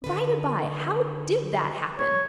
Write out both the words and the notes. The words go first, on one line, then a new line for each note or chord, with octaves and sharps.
By the by, how did that happen?
D3 D#3 B4
C#5